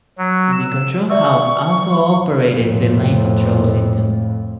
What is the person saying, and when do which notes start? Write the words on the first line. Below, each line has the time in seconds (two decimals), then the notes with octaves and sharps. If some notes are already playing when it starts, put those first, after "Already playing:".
The control house also operated the lane control system.
0.18 F#3
0.52 E6
1.10 D5 E5 C#6 E6
2.52 F2 A2